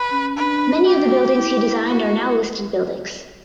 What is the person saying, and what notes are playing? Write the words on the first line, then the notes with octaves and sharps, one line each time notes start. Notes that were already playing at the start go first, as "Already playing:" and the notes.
Many of the buildings he designed are now listed buildings.
Already playing: B4
C#4
D4 B4
F#4 G4
E4
F#4